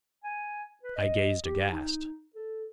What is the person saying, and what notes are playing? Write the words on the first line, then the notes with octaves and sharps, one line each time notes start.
I gazed aghast.
G#5
B4
D#5
G4
D#4
A4